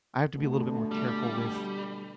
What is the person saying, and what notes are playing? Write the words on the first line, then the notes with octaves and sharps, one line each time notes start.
I have to be a little bit more careful with
B2 D3 A3
G3